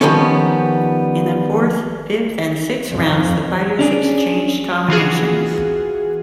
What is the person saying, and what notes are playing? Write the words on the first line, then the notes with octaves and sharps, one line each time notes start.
In the fourth, fifth and sixth rounds the fighters exchanged combinations.
D#3 F3 G3 B3 C#4
F2
C#4 D4 G#4
E3 F4 F#4 G#4